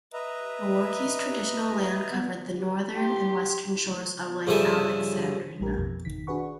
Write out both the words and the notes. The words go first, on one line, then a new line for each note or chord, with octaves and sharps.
The Warki's traditional land covered the northern and western shores of Lake Alexandrina.
B4 D#5 E5 A#5
G4 C6
G2 C#3 F3 A4 E5 G#5
A#1 A3 G4 A#4
F2 B2
G#1 D#3 B6
D4 F#4 G#4 B4 F#5 C#6